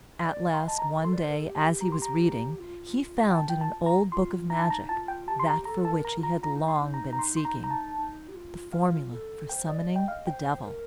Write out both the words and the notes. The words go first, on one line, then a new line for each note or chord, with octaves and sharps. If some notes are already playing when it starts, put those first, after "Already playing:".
At last one day, as he was reading, he found in an old book of magic that for which he had long been seeking--the formula for summoning the devil.
D#5
D5
F5
C6
D#5 A5
A#5
A#4
A4 C6
D5
C5
A#4
A4
G4
A#5
C6
A#5
F4
G5
A5
G5
A5
A#5
F4 C6
D#4 A#5
A5
A#5
F4 A5
G5
G4 A5
C6
A#5
A4 A#5
A5
A#4
A#5
F4
A#5
F4 A#5
D#4
C6
D#4
A#5
A#5
C6
C6
A#5
A#5
A5
D#4
G4
F4
F4 F5
A4
C5 G5
D5 D#5
D#5
G5
D#5 F5
C5 G5
C5
A#4